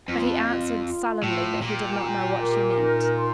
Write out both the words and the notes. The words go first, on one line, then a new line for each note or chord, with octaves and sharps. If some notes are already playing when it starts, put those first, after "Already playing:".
But he answered sullenly that he did not know what she meant.
F2 F4
F4
F4
A2 F4
A#2 G4
G4
A#4
D#4
C6